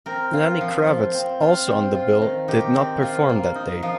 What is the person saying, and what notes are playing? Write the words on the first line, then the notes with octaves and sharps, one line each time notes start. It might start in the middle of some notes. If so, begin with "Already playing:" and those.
Lenny Kravitz, also on the bill, did not perform that day.
C4 A#4
F4
F3
F3
C4
F4
C4
F4
D#3
D#3 G4
C4
F4
A#3
D#4
F3